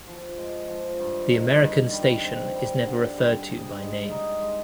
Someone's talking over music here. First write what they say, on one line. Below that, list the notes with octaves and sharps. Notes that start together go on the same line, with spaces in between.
The American station is never referred to by name.
F3
G#3
F3
G2
D#3
G2
G3
C4
G3
D3
G3
G#4
G#3
D#4
G#3